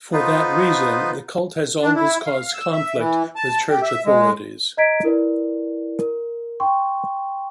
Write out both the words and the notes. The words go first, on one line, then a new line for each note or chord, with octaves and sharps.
For that reason the cult has always caused conflict with church authorities.
B3 D#4 F4 B4 C5
D4
E4
F5
E6
E5
E3
A5
G4
E5
G#3
D#5 A#5 G#6 B6 D7
E4 A#4 B4 D5
A#4
G5 C6 C#6